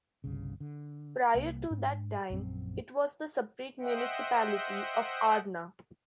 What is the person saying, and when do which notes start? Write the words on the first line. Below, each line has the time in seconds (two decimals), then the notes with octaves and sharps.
Prior to that time, it was the separate municipality of Arna.
0.24 G1 C2 C#3
0.60 D3
1.35 C2 A#3
1.70 G#2 D4
2.30 A#1 F#2 C4
3.81 C5 D#5 E5 F#5 G5